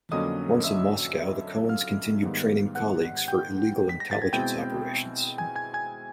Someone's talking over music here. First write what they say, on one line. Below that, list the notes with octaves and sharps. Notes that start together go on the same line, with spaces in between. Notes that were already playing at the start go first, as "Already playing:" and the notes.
Once in Moscow, the Cohens continued training colleagues for illegal intelligence operations.
F2 D3 F#3 A#3 C#4 D#5 D#6
E5 E6
F5 F6
G#2 D#3 G3 B3
F#5 F#6
G5 G6
B6
A#6
A6
G#6
B2 G#3 C4 E4 G5 G6
G#5 G#6
G#5 G#6
G#5 G#6